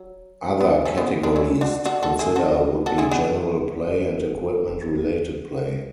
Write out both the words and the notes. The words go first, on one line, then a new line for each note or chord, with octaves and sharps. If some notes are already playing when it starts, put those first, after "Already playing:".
Other categories to consider would be general play and equipment related play.
Already playing: F#3
B3
A3 C#4
B3
B3 D4
C#4 E4
D4 F#4
D4 F#4
F#4 A4
E4 G#4
F#4 A4
F#4 A4
E4 G#4
B3 D4